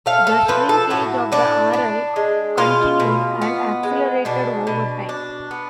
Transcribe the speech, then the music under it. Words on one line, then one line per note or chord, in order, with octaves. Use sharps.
The shrinkage of the Aral continued and accelerated over time.
A3 F5
A4
F3 B4
A4
A2 F#4
A2 D4
D4
G#3
B2 F4
B2
B3
G#3
B2 D4
B2
D4
B3